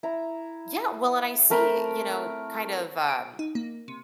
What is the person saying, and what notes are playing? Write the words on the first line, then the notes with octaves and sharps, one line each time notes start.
Yeah, well, and I see, you know, kind of, um,
E4 A#5
A3 C4 A#4 B5
D7
D#4
A#3
C3